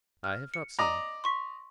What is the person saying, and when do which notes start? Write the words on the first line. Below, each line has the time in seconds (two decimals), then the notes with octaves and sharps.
"I have not seen him."
0.24 F6
0.54 C#7
0.79 D5 D#5 A#5
1.24 C6 C#6 B6